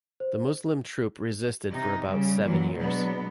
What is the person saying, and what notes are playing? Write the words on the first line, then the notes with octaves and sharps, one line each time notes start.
The Muslim troop resisted for about seven years.
C5
C3 D#4
C#3 G3
A#2 E3 F#3
B2 F#3 G#3 B3 D4